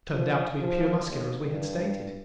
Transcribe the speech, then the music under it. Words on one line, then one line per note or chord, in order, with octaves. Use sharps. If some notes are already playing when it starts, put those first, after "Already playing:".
He turned out to be a pure Muscular as we had stated.
F3
F3
D#2
G2